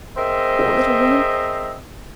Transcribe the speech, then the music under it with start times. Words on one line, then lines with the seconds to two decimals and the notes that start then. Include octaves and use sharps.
Poor little woman!
0.17 C4 G#4 A#4 C5 D#5 E5